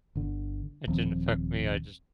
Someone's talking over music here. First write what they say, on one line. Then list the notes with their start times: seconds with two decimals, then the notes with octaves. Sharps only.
it didn't affect me, I just,
0.15 G1 D3
0.88 D#1 F3 C4